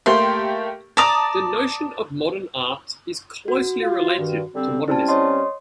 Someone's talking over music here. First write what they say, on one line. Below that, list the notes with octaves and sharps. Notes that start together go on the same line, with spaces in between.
The notion of modern art is closely related to modernism.
A3 A#3 G4 C6
D5 A5 A#5 D6 D#6
F#4
F4
G2 D#3
D3 G3 C4
G3 C4 C#4 E4 A5
C#5 D#5 C6